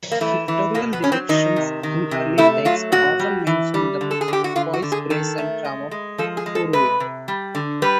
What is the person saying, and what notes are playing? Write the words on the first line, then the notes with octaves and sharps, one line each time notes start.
Pictorial depictions in early texts, often mention the poise, grace and charm of Poorvi.
A#3
E3 A3
E3
B2 A#3
B3
F#3 C#4
C4
D#3 D#4
C3
D#3
C3
A3 E4
F#3 F4
A#2 F#4
G3
E3
G3
D3
A4
G#4
D3 G4
F#4
D3 F4
F#4
D3
G#4
D#3 A4
A3
G#3
G#3
F3 A4
G#4
G#3
A4
C3 B4
C3
G3
D3
G3 B4